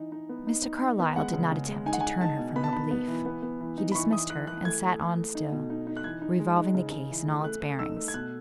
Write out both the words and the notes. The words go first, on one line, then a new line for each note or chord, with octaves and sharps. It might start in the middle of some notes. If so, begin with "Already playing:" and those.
Mr. Carlyle did not attempt to "turn her from her belief." He dismissed her, and sat on still, revolving the case in all its bearings.
Already playing: E3 D#4
D#4
B3
D#4
D#4
D#4
B3
G#3 F#5
C#3
C#3
G#3
D#4 G#5
F#5
G#5
D#4
D#4 A5
B2
B3 B5
A5
D#4 B5
B3
E3
B3
B3
E3
D#4
B5
E3 C#6
E3 D#6
E3 F#6
E3 F#6
A3 G#6
A3
A3
A3
D#4
B2
D#4
D#4
F#6
E3 G#6
D#4
G#3
D#4
C#3
C#3
E3
A3
A3 F#6
A3
D#4 E6
A3
G#6
B2 F#6